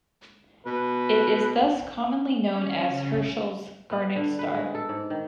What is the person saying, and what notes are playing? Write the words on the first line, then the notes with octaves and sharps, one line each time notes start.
It is thus commonly known as Herschel's "Garnet Star".
B2 B4
C#4
C#3
B3
D3
B4
G#3
A4
G#2
D#3